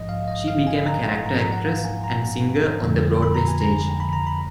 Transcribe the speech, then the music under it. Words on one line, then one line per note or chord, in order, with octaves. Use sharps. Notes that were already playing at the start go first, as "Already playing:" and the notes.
She became a character actress and singer on the Broadway stage.
Already playing: A#1 G#2 F3 D#5
F5
D#5
F5
G#5
A#5
G#2 F3 A#3 A#5
A#5
F#5
F5
G#5
A#5
F2 D3 F3 A#3
B5
A#5
G#5
A#5
B5
A#5
B5